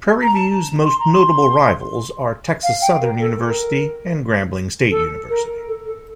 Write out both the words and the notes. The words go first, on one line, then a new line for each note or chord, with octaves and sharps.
Prairie View's most notable rivals are Texas Southern University and Grambling State University.
A#5
A5
C6
A#5
C6
F5
G5
A#4
A4
A#4
A4
A#4
A4
A4